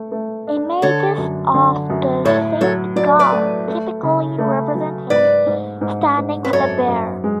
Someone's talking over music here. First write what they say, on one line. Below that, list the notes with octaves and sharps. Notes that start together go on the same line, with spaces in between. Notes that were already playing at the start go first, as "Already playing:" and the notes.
Images of Saint Gall typically represent him standing with a bear.
Already playing: A3
A3
D4
D3 A4 C#5
F#2
D3
F#2
A2 A4 C#5
F#3 A4 C#5
F#3 D5
B4 D5
A3
A3
C#3
A3
F#3
G#2 B4 D5
G#2
G#2
G#2
B4
F#2 A4 C#5
F#2
G#3